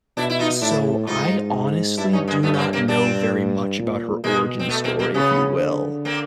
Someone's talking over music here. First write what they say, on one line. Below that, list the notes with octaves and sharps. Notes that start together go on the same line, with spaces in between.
So I honestly do not know very much about her origin story, if you will,
B2 D4 E4
E4
D#4 F4
A2 D4 E4
G#2 D#4 F4
G2 D4 E4
C#4 D#4
G#3 A#3
G2 A3 B3
C#4
A#3 C4
A#3 C4
G2 C4 D4
A#2
B2 G#3 A#3
C4
A3 B3
A#3 C4
A#3 C4
C#3 B3 C#4
D3
A#3 C4